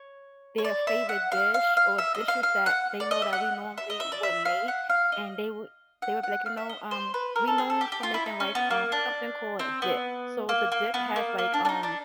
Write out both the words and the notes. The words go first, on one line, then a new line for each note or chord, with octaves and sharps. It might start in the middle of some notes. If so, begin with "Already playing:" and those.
their favorite dish or dishes that they know that we normally would make, and they would they would be like, you know, um we're known for making like, um, something called a dip. So the dip has, like, um
Already playing: C#5
C#5
D5
E5
F#5
F5
F5
F5
E5
D#5
F5
F5
F#5
D5
D#5
E5
F#5
E5
D#5
E5
D5
E5
F5
F#5
F5
D#5
F#5
F#5
F5
E5
D#5
C5
B4
A#4
A4
G#4
A4
G4
G4
F4
E4
D#4
C#4
B3
A#3
D4
C4
B3
A#3
A#3
B3
A#3
A#3
D4
D4
D#4
D4